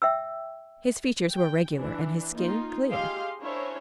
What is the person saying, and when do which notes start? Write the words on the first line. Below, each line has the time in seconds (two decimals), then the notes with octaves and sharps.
His features were regular and his skin clear.
0.02 E5 G5 E6
1.32 G5
1.75 E3 D4
2.33 A#3 D#4 F4
2.87 G4 G#4 D#5 F5 C6
3.41 C#4 D4 E4 A#4 C5 C#5